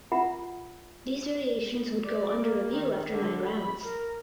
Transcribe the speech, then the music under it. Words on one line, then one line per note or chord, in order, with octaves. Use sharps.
These variations would go under review after nine rounds.
F4 E5 F#5 A#5 B5
D5
A#3
D#3
D3
B5
A#4